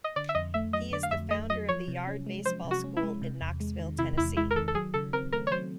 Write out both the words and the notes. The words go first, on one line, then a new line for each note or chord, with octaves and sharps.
He is the founder of the Yard Baseball School in Knoxville, Tennessee.
D#5
D3 D5
E5
F2 D#5
A3 E5
F#3 D#5
D3 D5
F5
F2 E5
A3 D#5
F#3 D#5
F3 C#5
C3
C#4
G#3
F3 C5
C3
F#4
C#4
E4
G#3
C3
E2
G#3
D#3
C3 E4
E2 E4
G#3 E4
A#4
D#3 A4
A4
F#3 G#4
C#3 A4
C4 A#4
A3 A#4
C#5
F#3 C5